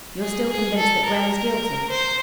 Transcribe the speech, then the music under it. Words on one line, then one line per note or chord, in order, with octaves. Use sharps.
"You're still convinced that Grell is guilty?"
G#4
G#4
A4
A#4
C5